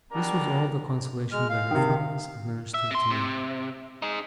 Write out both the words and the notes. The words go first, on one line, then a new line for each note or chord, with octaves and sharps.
This was all the consolation that her firmness administered to me.
B2 D4 G4 A#4 D5 A#5
G#3 F6
F5
C3 D#3
E5
C3 C6
C3
D#4 G#4